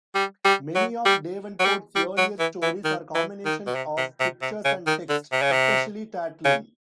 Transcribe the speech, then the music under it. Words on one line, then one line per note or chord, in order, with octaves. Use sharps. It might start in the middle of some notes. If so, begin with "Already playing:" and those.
Many of Davenport's earlier stories are combinations of pictures and text, especially Tatlin!
G3
G3
F#3
G3
F#3
G3
G3
F#3
E3
E3
D#3
E3
D#3
B2
C3
C3
C3
C3
C#3
D#3
D3
C3
C#3
C3
C#3